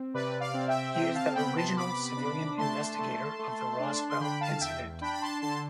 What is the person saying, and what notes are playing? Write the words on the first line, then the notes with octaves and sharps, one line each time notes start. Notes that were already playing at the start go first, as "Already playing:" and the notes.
He is the original civilian investigator of the Roswell incident.
Already playing: C4
C3 B4 D5
D5 F5
C4
E5 G5
C3 E5 G5
F5 A5
B3 G5 B5
A5 C6
C3 B5 D6
D4
A3 A5 C6
A3
A3
D4
C6
D3 G5 B5
F5 A5
E2 E5 G5
D4 G5 B5
B5
A5 C6
D3 A5 C6